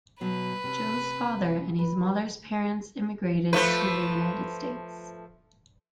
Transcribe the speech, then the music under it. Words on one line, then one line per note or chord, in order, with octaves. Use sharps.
Joe's father and his mother's parent's immigrated to the United States.
B2 F#3 B4
C3 C#4
B4
F3 A3 B4